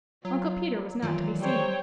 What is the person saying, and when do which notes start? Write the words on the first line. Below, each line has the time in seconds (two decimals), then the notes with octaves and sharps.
Uncle Peter was not to be seen.
0.25 F#3 F4
1.02 D#3 E3 F4 D5
1.42 G3 C5 C#5 G5